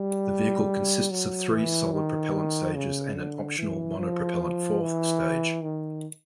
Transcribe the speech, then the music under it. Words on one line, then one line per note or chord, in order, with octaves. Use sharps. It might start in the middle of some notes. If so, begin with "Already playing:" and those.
The vehicle consists of three solid propellant stages and an optional monopropellant fourth stage.
Already playing: G3
F#3
E3
D#3
C#3
D3
E3
F3
E3
D#3